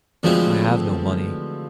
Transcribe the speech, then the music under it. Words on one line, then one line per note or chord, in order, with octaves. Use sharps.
"I have no money."
D2 C3 E3 F3 G#3 C4